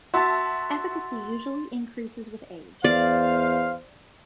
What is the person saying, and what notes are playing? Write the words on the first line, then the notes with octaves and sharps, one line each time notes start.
Efficacy usually increases with age.
F#4 E5 A5 C6 A6
E2 C5 D5 F5